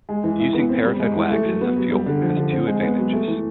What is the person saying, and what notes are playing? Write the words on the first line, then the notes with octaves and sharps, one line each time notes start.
Using paraffin wax as a fuel has two advantages.
G#3
E3
E4
B3
C4
G3
G#3
E3
A3
F#3
B3
F#3
G3
D3
F3
D3
C4
G#3
B3
F#3
A3
E3